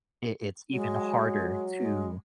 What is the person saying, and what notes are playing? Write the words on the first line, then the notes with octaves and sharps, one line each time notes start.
it it's even harder to,
F#3 G#3
G#3